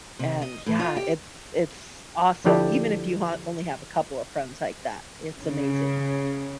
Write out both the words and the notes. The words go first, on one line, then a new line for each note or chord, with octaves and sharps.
and yeah it's it's awesome. Even if you ho only have a couple of friends like that, it's amazing.
C3
D#5
A2
F4
G4
D3 F3 D4 E4 G4 A4
C#3